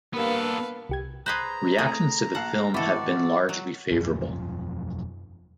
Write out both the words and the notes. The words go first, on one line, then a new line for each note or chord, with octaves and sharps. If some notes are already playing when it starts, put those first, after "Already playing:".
Reactions to the film have been largely favorable.
G2 A#3 B3 A4 B4 F5
C2 G4 G#6
G#4 B4 C5 A#5 F#6 G6
A3 C4 G#4
A#1 F5 F#5 A5
G#1 E3 E4 F#4 A4 D5 B5
F#3
E1 F#2 F3